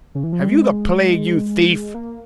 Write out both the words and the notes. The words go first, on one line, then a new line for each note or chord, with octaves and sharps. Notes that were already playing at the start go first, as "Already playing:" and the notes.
Have you the plague, you thief?
C#3
E3
F3
G3
G#3
A#3